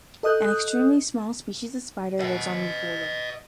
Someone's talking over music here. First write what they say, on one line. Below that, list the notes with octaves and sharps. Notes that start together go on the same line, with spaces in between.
An extremely small species of spider lives on Upolu.
A4 D#5 D#6 F#6 G6
D#5 F#5